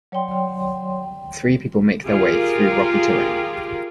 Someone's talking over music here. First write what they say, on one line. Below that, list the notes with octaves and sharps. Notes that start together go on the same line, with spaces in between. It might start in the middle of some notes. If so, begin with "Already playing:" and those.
Three people make their way through rocky terrain.
F#3 C#5 D5 G5 C6
F4 G4 G#4 A#4